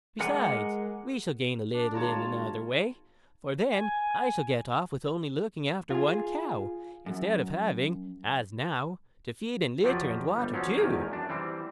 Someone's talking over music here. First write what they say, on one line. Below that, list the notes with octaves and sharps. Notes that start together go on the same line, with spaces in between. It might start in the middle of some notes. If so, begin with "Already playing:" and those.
Besides, we shall gain a little in another way, for then I shall get off with only looking after one cow, instead of having, as now, to feed and litter and water two.'
G#3 A#4 F#5 G#5 D6
D4
G#1 F4 C#5 A5 A#5
G#5
F4 G#4
F#2
F2 F3 F#3 G4 D5 D#5
G1 G3
F3 F#3 C#4
G#1 E2 D#3 G4 A#4 G#5
F#2 D4
E3 G3 C4